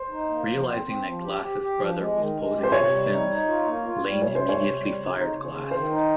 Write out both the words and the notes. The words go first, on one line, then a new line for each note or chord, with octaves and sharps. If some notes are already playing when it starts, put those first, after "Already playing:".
Realizing that Glass's brother was posing as Sims, Lane immediately fired Glass.
Already playing: C5
D#4
A#3
F3
C4
C4
F3
G4
G4
G4
F3
G#3
D#3
G#3
G4
C5
C3 C#5
G3
D#4
D#4
F4
A#3
F4
G3
C3 C#5
C5
G3
C#5
C3
G3
C#3
D#4
C#3
C#3
D#3 C5
D#4